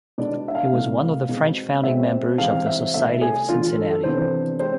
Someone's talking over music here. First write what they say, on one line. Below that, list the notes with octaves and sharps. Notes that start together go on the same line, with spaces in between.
He was one of the French founding members of the Society of Cincinnati.
B2 G#3 D4 D5
E5
F5
C2 B2 A3
B2 G#3 C4
B2 G#3 C4 E5
C2 C3 E3 G#3 C4 F5
E5
C2 B2 A3 E5
G#4
E2 D3 A3 D4 F4
F4
A4
A4
C3 E3 B3 D4 C5
G#3 C4 C5